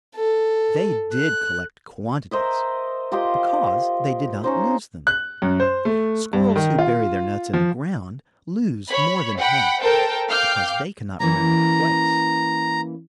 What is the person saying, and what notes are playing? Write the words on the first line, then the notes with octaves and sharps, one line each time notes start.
They did collect quantities-- because they did not lose them! Squirrels who bury their nuts in the ground lose more than half, because they cannot remember the place.
A4
F#6
A#4 C5 D#5 E5
F4 G4 C5 D#5
C#4 D#4 C5
F#6
F#2
C5
A3
G2
D#3
F4
F3
C#5 B5
F#5 G5 B5
A4 A#4 C5 G5 A5
F5 G5 D6 F6 G6
E3 A#3 C#4 A#5